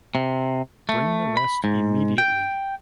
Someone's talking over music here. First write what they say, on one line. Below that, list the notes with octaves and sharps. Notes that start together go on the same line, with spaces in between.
Bring the rest immediately.
C3
A3
B5
G#2
G5